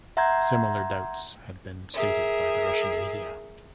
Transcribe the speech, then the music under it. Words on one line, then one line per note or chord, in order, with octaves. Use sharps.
Similar doubts had been stated by the Russian media.
E5 F#5 A#5 C6 G6 G#6
G#4 A#4 E5